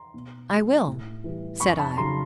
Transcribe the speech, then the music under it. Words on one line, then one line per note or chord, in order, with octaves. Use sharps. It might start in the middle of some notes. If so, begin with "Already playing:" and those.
"I will," said I.
Already playing: A#5 C6
B2
G3
A2
E3 G3
F2 B5 C#6
A5 B5
C#3 F#3 A#5 C6